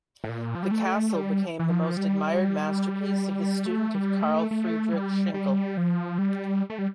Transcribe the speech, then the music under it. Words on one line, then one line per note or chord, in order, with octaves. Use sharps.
The castle became the most admired masterpiece of the student of Karl Friedrich Schinkel.
A2
A#2
F3
G3
A3
G3
E3
F3
G3
A3
G3
A3
A3
G3
G3
F3
G3
A3
G3